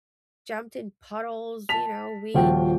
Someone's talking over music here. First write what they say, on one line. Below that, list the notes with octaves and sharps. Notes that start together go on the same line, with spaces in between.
jumped in puddles, you know, we
A5 B6 F7
D#1 F3 F4 F#4 G5